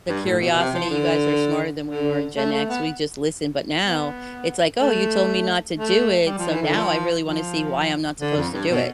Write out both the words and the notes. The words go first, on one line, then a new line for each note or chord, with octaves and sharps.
The curiosity, you guys are smarter than we were in Gen X, we just listened, but now it's like, "Oh, you told me not to do it, so now I really wanna see why I'm not supposed to do it,
G2
A2
B2
B2
C3
F3
D3
D3
A3
A3
B3
B3
A3
A3
G3
F3
E3
D3
F3
F3
D3
F2
G2
B2